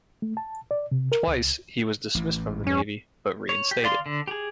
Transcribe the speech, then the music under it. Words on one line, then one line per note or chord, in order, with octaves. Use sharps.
Twice, he was dismissed from the Navy, but reinstated.
A3
A5
D5
C3
A#4
C#2
A1 A2 E3
F2 C#4
C#5
G4
D5 F5 C6
D3
G4 G#4